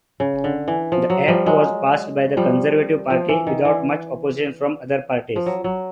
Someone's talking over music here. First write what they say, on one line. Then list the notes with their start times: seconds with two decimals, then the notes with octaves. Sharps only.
The act was passed by the Conservative Party without much opposition from other parties.
0.20 C#3
0.44 D3
0.68 E3
0.92 F3
1.10 F#3
1.28 F3 G3
1.46 F#3 G#3
2.37 F3 G3
3.10 F3
3.29 E3
3.47 D#3
3.65 E3
5.36 F3
5.46 F#3
5.64 F#3